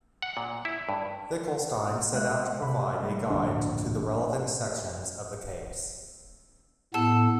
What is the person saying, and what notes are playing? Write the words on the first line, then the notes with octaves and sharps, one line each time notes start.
Finkelstein set out to provide a guide to the relevant sections of the case.
F#5
A#2
E4
G2
G#3 E5 F5 F#6
C3 B5
G3 A3
D1 A#1 G2 D4
A2 B3 A4